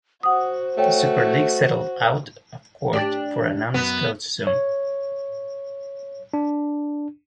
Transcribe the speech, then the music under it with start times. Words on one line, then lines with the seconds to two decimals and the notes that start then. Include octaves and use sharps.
The Superleague settled out of court for an undisclosed sum.
0.23 F#4 C5 F#5 D#6
0.78 A3 F#4 C#5 G5
2.93 D4 G4 D5
3.74 F#2 B3
4.47 C#5
6.34 D4